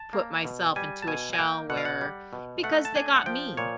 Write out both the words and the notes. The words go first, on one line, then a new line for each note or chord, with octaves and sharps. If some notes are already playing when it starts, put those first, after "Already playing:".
put myself into a shell where because they got mean.
Already playing: A5
A#3
B2
G3 G#5
A5
B2 G#5
G#5
A#3 G5
B2 F#5
F5
F#5
G3
B2
A3 F#5
A5
D4 G#5
F#5
F3 G5
A#2 C#5